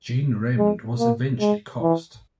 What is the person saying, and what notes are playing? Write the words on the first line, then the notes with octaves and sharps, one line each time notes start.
Gene Raymond was eventually cast.
G#3
A#3
G#3
E3